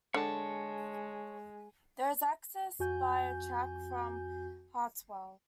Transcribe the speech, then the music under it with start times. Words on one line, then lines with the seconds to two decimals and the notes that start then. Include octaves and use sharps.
There is access by a track from Hartwell.
0.14 D3 G#3 C#5 A5
2.79 F2 F#4 G#5 G6